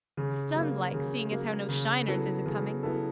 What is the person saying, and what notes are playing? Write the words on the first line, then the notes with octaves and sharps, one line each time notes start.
Stunned like, seeing as how no shiners is acoming.
C#3
F#3 A#3
C#3
F#3 A#3
C#3
F#3 B3 E4 A4
C#3
F#3 B3 E4 A4